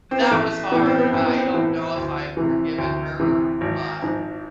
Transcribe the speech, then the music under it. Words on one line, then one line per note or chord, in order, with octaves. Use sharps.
that was hard, I don't know if I've forgiven her but
C4
B3
A1 A3
A2 E3 B3
C4
B3
A1 C4
B3
C4
A2 E3
D2
C3 E3
D2
C3 E3
G#1
G#2 F3